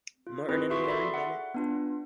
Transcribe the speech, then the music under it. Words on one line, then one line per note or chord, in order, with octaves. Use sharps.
Martin and Harry Bennett.
F4
C4 E4 G#4 B4
F4 F#4 G#4 E5 C6 C#6
A4 D5 E5 B5 C6
F#5
B3 D4 F4